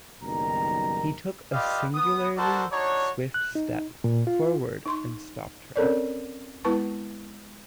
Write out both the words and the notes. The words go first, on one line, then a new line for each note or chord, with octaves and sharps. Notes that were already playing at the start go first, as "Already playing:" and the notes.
He took a singularly swift step forward and stopped her.
F#1 B1 D#3 G3 A#5
F4 G4 B4 D5 D#5 F5
B3 D#6
D4 F#4 A4 A#4 C5 A5
D4 D#4 F#4 C#5
F#6
D#4
A#2
F4
D#4 C6 C#6
C4 C#4 A4 A#4 C#5 D5
G#3 B3 E4 B4 A5 C#6